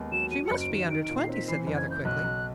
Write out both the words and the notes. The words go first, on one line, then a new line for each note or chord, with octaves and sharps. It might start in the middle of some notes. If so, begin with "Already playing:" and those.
"She must be under twenty," said the other, quickly.
Already playing: D#2 G#3 B3
F#3 E7
F#3 D#7
F#1 C#7
D7
D#3 E7
D#4 D7
D7
A#2
C7
C4 B6
E3 C7
F#1
G#6
C#3 G6
B1 F#6
B1